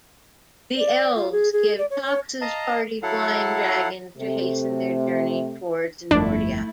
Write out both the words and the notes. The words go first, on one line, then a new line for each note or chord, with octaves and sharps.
The elves give Toxa's party flying dragons to hasten their journey towards Nordia.
D5
F4
G#4
G#4
D5
C#5
C#5
D#5 F5 A5 A#5
F#3 E4 A4 F5 F#5
C3 A3
G1 F2 A3 D4 E4